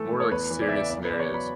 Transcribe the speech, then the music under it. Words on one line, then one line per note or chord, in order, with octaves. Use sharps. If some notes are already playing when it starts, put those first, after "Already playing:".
more, like, serious scenarios,
Already playing: E3 A3 A4
A3
C#5
E2 B4
E3
D5
C#3 E5
D5
E2 D5
B4
E2 D5
C#5
F#3 B5